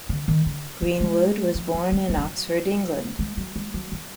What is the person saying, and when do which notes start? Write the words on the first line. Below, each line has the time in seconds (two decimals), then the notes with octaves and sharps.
Greenwood was born in Oxford, England.
0.09 D3
0.28 D#3
0.46 D3
0.82 F3
1.00 G#3
1.55 F3
1.74 F#3
1.92 G#3
2.09 F#3
2.17 F3
2.24 F#3
3.19 G#3
3.37 F#3
3.56 G#3
3.74 F#3
3.92 F#3